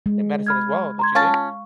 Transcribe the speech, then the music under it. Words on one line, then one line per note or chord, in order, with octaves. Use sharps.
than medicine as well, don't you think?
G#3
B5 F6 G#6
A#5 C6 G#6
C#4 F4 F5 A5 C#6